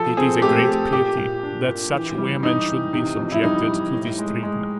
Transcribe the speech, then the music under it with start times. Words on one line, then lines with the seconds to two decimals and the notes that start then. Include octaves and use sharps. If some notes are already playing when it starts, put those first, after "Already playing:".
It is a great pity that such women should be subjected to this treatment.
Already playing: F3 A4
0.17 C4 G#4
0.42 A3 G4
0.67 A3
0.93 A#2 G4
1.17 A#2
1.43 D4
1.68 A#2
1.93 E3
2.18 G3
2.43 E3 D#4
2.68 E3
2.93 C3 D#4
3.17 F2
3.32 E4
3.43 G3 D#4
3.68 G3
3.93 A2
4.19 G#3
4.43 G#3